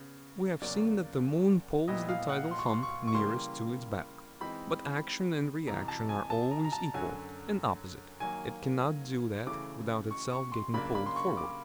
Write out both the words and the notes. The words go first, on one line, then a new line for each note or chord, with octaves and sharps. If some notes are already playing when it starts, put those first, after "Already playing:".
We have seen that the moon pulls the tidal hump nearest to it back; but action and reaction are always equal and opposite--it cannot do that without itself getting pulled forward.
Already playing: C#3 B3
E2 C#3 F#3 A#3 D5
A#2 G3 B3 E4 D#5
F5
F#5
C6
C#6
C6
C#6
C#6
C#3 E3 G3 A#3 C6
E3 G#3 C4 D#4 B5
F2 C3 E3 A#5
A5
G#5
A5
A#5
A#5
A5
F#2 D3 F#3 G#5
D#3 F#3 A#3 G#5
C#3 E3 A3 D6
C#6
C#6
C6
C#3 F#3 A#3 D4 F4 B5
B5
C6
C#6
D6